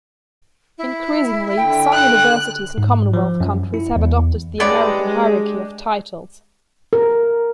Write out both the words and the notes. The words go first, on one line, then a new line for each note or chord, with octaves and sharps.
Increasingly, some universities in Commonwealth countries have adopted the American hierarchy of titles.
E4
D3 G5
F#6
G#2
F3
F#2
E4
E2
G#3 B3 D4 G4 G#4 C#5 D5
A#4